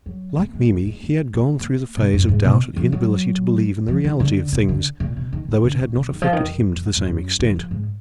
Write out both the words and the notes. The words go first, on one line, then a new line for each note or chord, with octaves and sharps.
Like Mimi, he had gone through the phase of doubt and inability to believe in the reality of things, though it had not affected him to the same extent.
F#3
A#3
G#3
A#3
G#3
A#3
A#3
A#3
B2
F#2
G#2
B2
F3
F#3
F3
D#3
D3
B2
D3
A#2
B2
D#3
D#3
D3
B2
B2
D#3
F3
D#3
F2
F2
F#2
F#2
F#2
D#3
F3
G#2